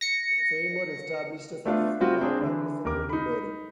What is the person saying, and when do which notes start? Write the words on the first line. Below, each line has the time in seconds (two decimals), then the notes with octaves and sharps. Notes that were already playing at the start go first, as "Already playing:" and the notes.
Seymour established a successful law practice in Middlebury.
0.01 A#6 C#7
1.66 A3 B3 D4 F4 E5 F5
2.00 G3 C4 F4 F#4
2.21 C4 D4 G#4
2.41 D3 E3
2.85 D#2 A#4 D6
3.09 D#4 B5